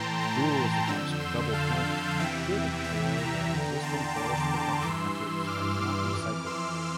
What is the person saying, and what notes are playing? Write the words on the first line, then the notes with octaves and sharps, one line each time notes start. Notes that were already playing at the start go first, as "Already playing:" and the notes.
Rules against 'double counting' should ensure that existing forest protection efforts are not recycled.
Already playing: A2 E3 G5 A5 A#5 C6
G5 A#5
F2 D3 E6 G6
C6 E6
F5 A5
E2 C3 E3 E5 G5
E5 G5
G5 A#5
E2 D3
A5 C6
A#5 D6
G2 E3 C6 E6
D6 F6
D6 F6
F2 E3
C6 E6